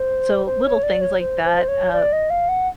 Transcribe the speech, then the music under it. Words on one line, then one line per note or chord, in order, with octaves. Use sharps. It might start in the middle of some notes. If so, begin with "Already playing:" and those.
so, little things like that, uh,
Already playing: C5
C5
C#5
D5
C#5
C5
C5
C#5
D5
D#5
F5
F#5